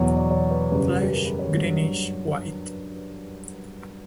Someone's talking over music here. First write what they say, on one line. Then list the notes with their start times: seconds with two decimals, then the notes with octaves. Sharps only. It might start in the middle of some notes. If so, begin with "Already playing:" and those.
Flesh Greenish white.
Already playing: E2 B2 F#3 C#5
0.16 D5
0.30 C#5
0.51 B4
0.71 F#2 C#3 G3 B4
1.03 G4
1.11 A#4
1.25 B4
1.39 C#5
1.52 G2 F#3